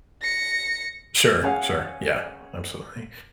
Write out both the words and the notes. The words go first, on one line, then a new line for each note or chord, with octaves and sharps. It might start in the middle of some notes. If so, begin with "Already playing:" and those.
Sure, sure, yeah, absolutely.
A#6 C#7
C#4 G#4 C#5 F5 F#5